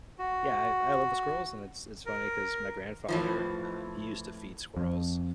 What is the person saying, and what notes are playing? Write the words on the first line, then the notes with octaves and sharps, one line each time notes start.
yeah, I I love the squirrels, and it's it's funny 'cause my grandfather, um, he used to feed squirrels,
F#4
A#4
A2 E3 F3
F2